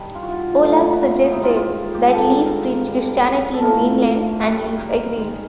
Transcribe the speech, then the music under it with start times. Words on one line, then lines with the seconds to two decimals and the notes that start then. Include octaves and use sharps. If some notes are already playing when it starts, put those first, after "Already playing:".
Olaf suggested that Leif preach Christianity in Greenland and Leif agreed.
Already playing: G2 D#3 G3 D#4
0.15 F4
0.22 F#4
0.31 F4
0.53 A#2 F#3 A3
0.93 B4
1.24 D#4
1.31 G#2 D#3 G3 E4
1.43 F4
1.57 F4
1.94 G4
2.08 G#2 D#3 G3 A4
2.46 A#4
2.86 F#2 D3 G3
3.54 A4
3.62 A2 F3 A3 A#4
4.40 F#2 D#3 G3 B4
4.78 A#4
5.16 G#2 D#3 G#3